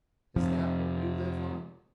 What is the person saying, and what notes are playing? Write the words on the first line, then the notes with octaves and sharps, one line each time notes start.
"Is that what you live on?"
F2 C3 F3